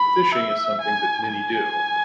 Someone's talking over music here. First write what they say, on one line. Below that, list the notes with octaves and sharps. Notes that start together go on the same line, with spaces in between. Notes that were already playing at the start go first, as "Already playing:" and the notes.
Fishing is something that many do.
Already playing: B5
E5
G#5
G#5